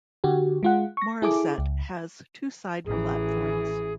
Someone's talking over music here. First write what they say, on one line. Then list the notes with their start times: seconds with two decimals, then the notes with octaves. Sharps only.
Morisset has two side platforms.
0.24 D3 F#4 G4
0.63 G#3 F4 F#5
0.97 C#6 A#6
1.22 E4 G#4 A4 D6
1.58 C#2
2.86 A1 E3 G#4